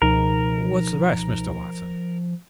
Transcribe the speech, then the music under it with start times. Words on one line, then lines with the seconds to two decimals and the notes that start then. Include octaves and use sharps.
"What's the rest, Mr. Watson?"
0.02 C#2 B2 F3 D#4 A#4